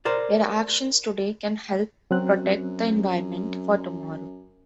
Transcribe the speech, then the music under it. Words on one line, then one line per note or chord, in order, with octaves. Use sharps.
Your actions today can help protect the environment for tomorrow.
A#4 C5 D5
F#2 F#3 C4 F#6